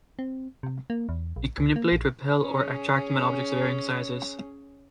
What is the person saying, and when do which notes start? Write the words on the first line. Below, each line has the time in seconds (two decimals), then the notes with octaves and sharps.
He can manipulate, repel or attract metal objects of varying sizes.
0.19 C4
0.63 C3
0.90 A#3
1.09 E2
1.36 A#1
1.58 C#2
1.76 A#3
1.92 A#1
2.40 C#4 G#4